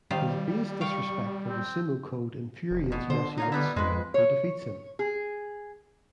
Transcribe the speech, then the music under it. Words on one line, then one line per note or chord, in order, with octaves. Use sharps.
His base disrespect for the sumo code infuriates Yoshimitsu, who defeats him.
D#3 G3 F4 C5
F5 G5 C#6
C4
F1
B2
D3 C5
D#4 C#5 F5
G3 B3 E4
F2 G#3 B4
C#5
G#4